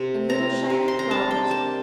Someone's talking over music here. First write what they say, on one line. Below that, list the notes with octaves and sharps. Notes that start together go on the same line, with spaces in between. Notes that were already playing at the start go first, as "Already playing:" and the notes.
"And little shining flowers?"
Already playing: C3
C4 A#5
C3
C6
A#5
D4 A5
G5
A#3 A5